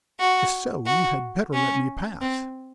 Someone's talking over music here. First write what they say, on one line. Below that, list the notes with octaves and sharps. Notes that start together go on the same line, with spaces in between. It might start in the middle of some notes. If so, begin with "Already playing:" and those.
"If so, you had better let me pass."
F#4
F#4
C#4
C4